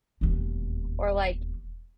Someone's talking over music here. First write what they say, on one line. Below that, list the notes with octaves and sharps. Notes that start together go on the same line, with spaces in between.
or, like,
E1 D#2